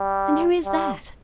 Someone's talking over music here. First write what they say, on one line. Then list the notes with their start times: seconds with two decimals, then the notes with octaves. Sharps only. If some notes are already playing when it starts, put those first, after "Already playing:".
And who is that?
Already playing: G3
0.65 G3